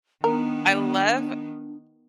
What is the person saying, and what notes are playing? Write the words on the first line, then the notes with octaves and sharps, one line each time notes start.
I love
D#3 B3 D4 A#4